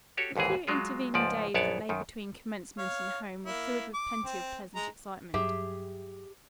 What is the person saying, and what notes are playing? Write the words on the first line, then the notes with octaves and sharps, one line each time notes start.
The few intervening days that lay between commencement and home were filled with plenty of pleasant excitement.
F#4 G4 A4 C#5
A1 D#2 G#2 E3 G#4
F#3 G#3 F4
C#2 G#2 F3 D5
A#1 F#2 B3 C#5 D5 A5
F#2 D#3
C#5 F5
A#3 E4
D6
C4
G#3 A#5
G2 F#3 G4 G#4 E5